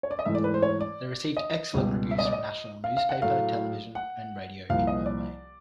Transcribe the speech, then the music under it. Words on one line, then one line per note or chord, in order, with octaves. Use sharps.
They received excellent reviews from national newspapers television and radio in Norway.
C#5
D5
D#5
G#2 E3 A3 E5
D5
B4
C5
C#5
D5
D#5
C#2 B2 G3
E5
D#5
D5
D#5
F5
F5
F#5
A2 F#3 A3 F5
F#5
C2 A#2 F3 F5
D#5
D5